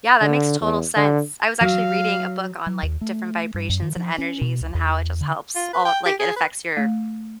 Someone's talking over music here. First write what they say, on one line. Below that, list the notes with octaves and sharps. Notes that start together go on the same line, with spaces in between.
Yeah, that makes total sense, I was actually reading a book on, like, different vibrations and energies and how it just helps all like, it affects your
D3
E2
D3
F#3 F5
F#3
D#2
A3
G2
F#2
D#3
F3
C#4
B2
C#2
E2
D3
F4
B4
G5
G4
G#4
B4
A3